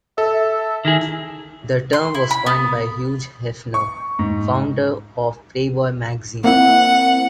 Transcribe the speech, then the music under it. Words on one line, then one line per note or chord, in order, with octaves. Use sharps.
The term was coined by Hugh Hefner, founder of "Playboy" magazine.
A4 E5
D#3 E4 G#4
C6
E4
B5
B3
C#6
G#2
A#3 C4 E4 F#5